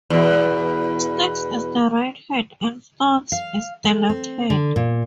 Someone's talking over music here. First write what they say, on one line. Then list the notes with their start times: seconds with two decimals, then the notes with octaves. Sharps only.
Sticks is the right head and Stones is the left head.
0.10 E2 B2
3.32 F5
3.84 A3
4.09 C4
4.50 D3
4.76 A#2